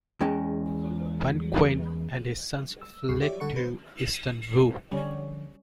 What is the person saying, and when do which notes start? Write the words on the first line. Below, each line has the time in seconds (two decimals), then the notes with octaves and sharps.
Wen Qin and his sons fled to Eastern Wu.
0.21 E2 G#3 C#4 D#5 G5 A5
2.81 E6
3.09 C#2 G2 G#4 C#6 C7
3.21 G4 C#5 D5 E5
3.40 D3 A4 F#5 C#6 C#7
3.56 B4 C5
4.91 D3 F3 G3 C#4